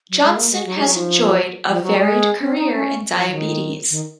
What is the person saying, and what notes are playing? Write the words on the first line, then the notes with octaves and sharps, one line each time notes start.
Johnson has enjoyed a varied career in diabetes.
F#3
G#3
A#3
G#3
F#3
G#3
F#3
F3
F3
F#3
G#3
C4
D#4
C#4
F3
F3
D#3
D#3